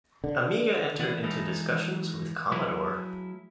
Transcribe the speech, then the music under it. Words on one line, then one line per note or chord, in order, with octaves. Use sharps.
Amiga entered into discussions with Commodore.
D3
E3 B3 D5 F#5
E3 G#3 B3 D#4 A4 A#4
F#3 A3 E4 F4 G#4 B4